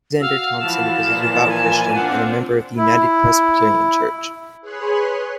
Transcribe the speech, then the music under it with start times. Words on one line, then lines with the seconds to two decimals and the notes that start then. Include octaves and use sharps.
Alexander Thomson was a devout Christian and a member of the United Presbyterian Church.
0.21 F#4 F5 E6
0.60 E3 F3 F5 A5 E7
1.09 A#2
1.48 G#5
1.95 C4 D4 F4 F#5
2.77 E4
4.61 G#4 B4 C#5 C6 F#6